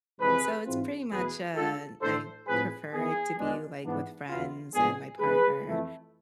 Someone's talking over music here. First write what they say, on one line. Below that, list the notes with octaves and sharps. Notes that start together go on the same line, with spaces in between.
So, it's pretty much, uh, I prefer it to be, like, with friends and my partner,
F2 C3 E3 G#3 G#4 B4
G#2 E3 G#3 C4 F4
E2 B2 A3 G#4 B4
D3 G#3 D4 F4 A4
A2 E3 A3 D4 A4 C5
A2 F3 G#3 C4 F4 G#4 B4
E3 B3 E4 G#4
E2 B2 G#3 D4
G#2 E3 B3 D4
E2 B2 B3 E4 F4
A2 F3 G#3 B3 D4 G#4
E2 D3 G#3 G#4 B4
F2 E3 A3 E4